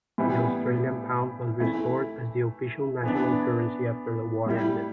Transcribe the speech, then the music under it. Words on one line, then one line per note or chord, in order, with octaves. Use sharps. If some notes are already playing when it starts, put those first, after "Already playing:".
The Australian pound was restored as the official national currency after the war ended.
A2 E3 G3 B3 E4
E3 A3 E4
E3 B3 D4
A2 G3 E4